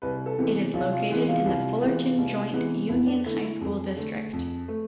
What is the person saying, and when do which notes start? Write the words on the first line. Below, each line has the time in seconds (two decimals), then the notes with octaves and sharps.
It is located in the Fullerton Joint Union High School District.
0.02 C2 B4
0.26 A4
0.38 C3 E3 G#3 B3
0.50 G#4
0.74 C2 F4
0.92 F4
1.09 C3 E3 G#3 B3 G#4
1.28 F4
1.45 C2
1.81 C3 E3 G#3 B3
2.18 C2
2.54 C3 E3 G#3 B3
2.89 F2 E4
3.07 D4
3.25 D3 A3 E4
3.44 E4
3.61 F2 G#4
3.97 D3 A3
4.33 F2
4.68 A3